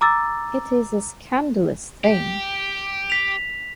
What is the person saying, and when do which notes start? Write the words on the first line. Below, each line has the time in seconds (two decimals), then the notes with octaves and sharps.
It is a scandalous thing!
0.01 A#5 D6 E6 A6
2.04 G4
3.10 B6 F7